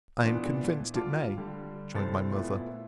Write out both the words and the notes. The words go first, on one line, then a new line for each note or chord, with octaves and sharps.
I am convinced it may, joined my mother.
A#2 E3 B3 D4
D2 G3 F4 A5 D6
D3 G3
C2 A4 C5 A6
A#2 A3 B3 E4